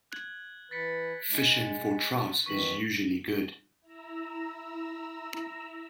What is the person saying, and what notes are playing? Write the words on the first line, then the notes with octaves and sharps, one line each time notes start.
Fishing for trout is usually good.
F#6 G#6 F#7
E3 B4 A6 B6 C#7
G#3
E2 D#3 E3 C#6 B6 F#7
E4 A#5 E6